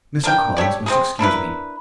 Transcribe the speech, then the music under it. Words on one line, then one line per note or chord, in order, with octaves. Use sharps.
Mr. Collins must excuse me.
D4 A#4 G5
G4 A4 C#5 D5
C4 D#4 G#4
D4 E4 A#4 B4